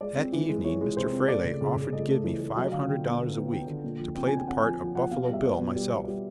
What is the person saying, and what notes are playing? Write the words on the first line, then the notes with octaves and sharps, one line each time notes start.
That evening Mr. Freleigh offered to give me five hundred dollars a week to play the part of "Buffalo Bill" myself.
G#3 D5
C4
E3
G#3
E3 C#5
G#3
C3 C5
C4
A3 D5
C#3
C#3
C#3
A3 D#5
A3
E3
A3
E5
F#3 D#5
D3 F5
D3 G5
B3
D3
B3
B3 G5
D3
A#2
F3
C4 G5
G#5
C4 G5
C4 F#5
F3 G#5
F3
F3 F#5
B2 F5
F5
G3
E5
B3 D5
B2
G3
B3
G3